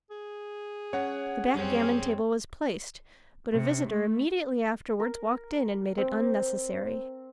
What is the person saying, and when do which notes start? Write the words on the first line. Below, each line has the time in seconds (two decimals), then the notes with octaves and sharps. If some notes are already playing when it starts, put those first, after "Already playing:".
The backgammon-table was placed; but a visitor immediately afterwards walked in and made it unnecessary.
0.11 G#4
0.93 C#4 C#5 F#5
1.54 F#2 G3 C4 C#4 G#4
3.53 C3
3.88 A3
5.00 A#4
5.98 C4